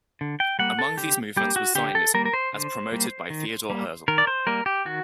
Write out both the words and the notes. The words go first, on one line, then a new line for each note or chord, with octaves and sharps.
Among these movements was Zionism as promoted by Theodore Herzl.
D3
G5
G3 A#3 F#5
A4
D3 G4
G3 A#3 G4
F#4
D3 G4
A4
G3 A#3 A#4
A#4
C5
D3
G3 A#3
D#3
G3 A#3
D#3 A#4
D5
C5
G3 A#3 A#4
G4
D#3 F#4